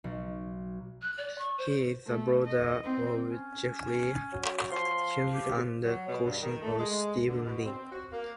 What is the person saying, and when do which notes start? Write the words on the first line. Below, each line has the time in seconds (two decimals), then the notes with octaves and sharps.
He is the brother of Jeffrey Huang and cousin of Steven Lin.
0.04 B1
1.02 F#6
1.18 D5
1.39 C#6
1.58 C5
2.07 A3
2.46 D#5
2.84 C4
3.28 C#4
4.32 F#3
4.72 F3 C6
5.33 G4
5.84 F#3
6.08 B2
6.25 G2
6.41 D#3
6.62 A3
6.79 G#3
7.27 D3
7.44 B2
7.65 C4
7.92 F#4
8.12 A#3